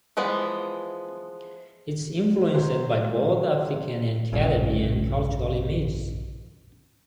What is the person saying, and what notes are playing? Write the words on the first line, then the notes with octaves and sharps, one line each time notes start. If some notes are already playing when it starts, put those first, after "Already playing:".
It is influenced by both African and Caribbean cultural images.
E3 F3 G#3 B3
F#3 C5
F1 A#1 G2 C#3